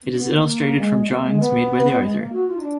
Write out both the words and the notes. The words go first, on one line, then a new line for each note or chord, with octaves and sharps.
It is illustrated from drawings made by the author.
D4
B3
A#3
G#3
G#3
A#3
G#3
B3
G#3
A#3
F#4
F4
D#4
D4